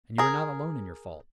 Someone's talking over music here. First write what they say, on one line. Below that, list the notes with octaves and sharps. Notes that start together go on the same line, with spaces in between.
And you are not alone in your fault.
G#4 A#4